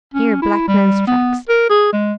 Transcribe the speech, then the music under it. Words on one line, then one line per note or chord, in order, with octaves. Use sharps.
Here black man's tracks.
C#4
E4
G3
B3
A#4
G#4
G#3